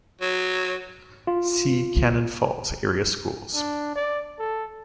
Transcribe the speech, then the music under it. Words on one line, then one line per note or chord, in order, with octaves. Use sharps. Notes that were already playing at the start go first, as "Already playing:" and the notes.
See Cannon Falls Area Schools.
F#3
F4
D4
D5
A4